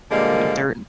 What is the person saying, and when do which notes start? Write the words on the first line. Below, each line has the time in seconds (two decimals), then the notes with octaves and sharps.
mm dirt and
0.11 A#2 D3 F3 G3 G#3 A#3